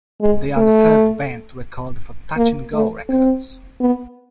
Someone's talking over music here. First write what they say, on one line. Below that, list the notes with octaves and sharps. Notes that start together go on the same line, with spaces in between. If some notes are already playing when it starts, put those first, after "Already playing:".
They are the first band to record for Touch and Go Records.
G#3
A3
A#3
A3
C4
B3